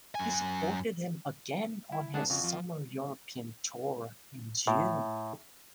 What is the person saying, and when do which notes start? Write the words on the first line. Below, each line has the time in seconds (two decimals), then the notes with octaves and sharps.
He supported him again on his summer European Tour in June.
0.15 F#2 G#5
1.92 E4
2.14 C2 D3 G#3 D4 F#5 A5
2.30 F2 C#3 F#4
2.44 F3
4.67 A2